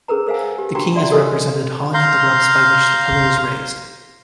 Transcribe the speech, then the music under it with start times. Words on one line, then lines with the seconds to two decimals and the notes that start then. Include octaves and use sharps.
The king is represented hauling at the ropes by which the pillar is raised.
0.08 C#4 G#4 A#4 B4 A#5
0.27 A#4 C5 F5 F#5 G#5
0.58 G4
0.75 D4 F4 F#4 G5 A#5 C#6
0.95 F4 D5 E5 F#5 C6
1.11 F#4 G4 A4 A#4 D#5 G#5
1.94 F5 A#5 C6 G6